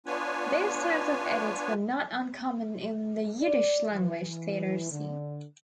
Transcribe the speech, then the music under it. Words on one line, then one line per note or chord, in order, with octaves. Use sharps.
These types of edits were not uncommon in the Yiddish-language theatre scene.
B3 D4 F4 B4 C#5 G#5
D5
E3
D3